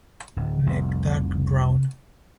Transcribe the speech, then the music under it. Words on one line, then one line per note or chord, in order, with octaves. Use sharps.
Neck dark brown.
D1
F1 C2